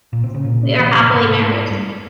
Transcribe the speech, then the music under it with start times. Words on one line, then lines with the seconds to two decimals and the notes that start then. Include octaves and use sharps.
We are happily married.
0.13 A#2
0.24 C3
0.34 C#3
0.45 A#2
0.79 E3
0.87 C#3
0.94 C3
1.00 A#2
1.08 G#2
1.70 G2